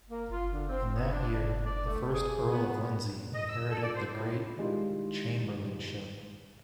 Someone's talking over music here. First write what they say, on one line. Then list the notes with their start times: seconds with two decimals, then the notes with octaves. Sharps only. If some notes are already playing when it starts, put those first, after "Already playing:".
In that year, the first Earl of Lindsey inherited the Great Chamberlainship.
0.10 A#3
0.31 F4
0.53 D3
0.69 C4
0.94 B3
1.12 D4
1.33 D4
1.65 D5
1.87 A3
2.12 G#4
2.53 B3
3.34 D#5
3.49 E6
3.71 A4
3.83 D5
3.95 C5
4.09 A2
4.57 D#3 G3 G#3 E4 F4